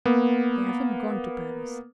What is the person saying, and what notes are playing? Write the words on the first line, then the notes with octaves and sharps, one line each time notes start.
They haven't gone to Paris.
A#3 B3